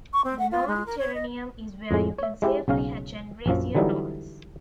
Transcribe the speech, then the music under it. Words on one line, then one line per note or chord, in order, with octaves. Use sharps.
The Norn Terranium is where you can safely hatch and raise your norns.
C#6
C4
F#5
F4
G#3
A#4
C#5
D#5
F2 A2 G#3
C#5 E5
G#3 E4 G4
B1 C#3 C#4 F5
A#1 F#2 F3
D3 E3 F#3 G3 D#4 E4